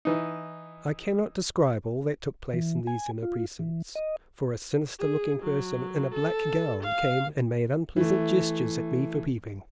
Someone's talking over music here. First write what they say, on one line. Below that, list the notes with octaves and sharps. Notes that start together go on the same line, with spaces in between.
I cannot describe all that took place in these inner precincts, for a sinister-looking person in a black gown came and made unpleasant gestures at me for peeping.
E3 D#4
E3
G#5
F4
E3
D#5
G#4
F#3
A4
F5
E3 A3